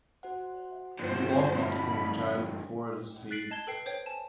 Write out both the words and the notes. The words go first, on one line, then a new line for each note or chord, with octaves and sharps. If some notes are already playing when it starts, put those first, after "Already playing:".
You ought not to comb a child before it has teethed.
F#4 C5 F#5
G2 D3 F3 A#3 C5 G5
A5 B5 F6
F#6 A6 B6 C7 D7 F#7
D#5 A5 G#6 G7
A4 B4 G5 C7
C5 C#5 G5
G#5 A5